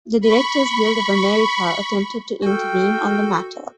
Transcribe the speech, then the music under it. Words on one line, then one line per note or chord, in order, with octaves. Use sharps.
The Director's Guild of America attempted to intervene on the matter.
B5 C#6
F#4 A4 F5 G5